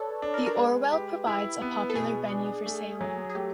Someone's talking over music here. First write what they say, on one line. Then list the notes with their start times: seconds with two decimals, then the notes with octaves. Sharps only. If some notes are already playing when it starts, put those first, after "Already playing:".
The Orwell provides a popular venue for sailing.
Already playing: A4 B4 C#5 D5
0.22 D4
0.34 A#4
0.46 A#4
0.57 G#3 B4
0.92 G4
1.27 E4
1.62 B3
1.90 A4
1.95 B2 G#4
2.30 D4
2.66 A3
3.01 F#3
3.30 G#4
3.35 A3 G4